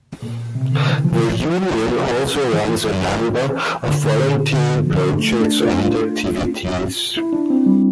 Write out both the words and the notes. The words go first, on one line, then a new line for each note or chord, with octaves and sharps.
The Union also runs a number of volunteering projects and activities.
A#2
C3
D3
E3
F3
E3
D3
A#2
D3
F3
A3
D4
F4
F4
E4
D4
C4
G3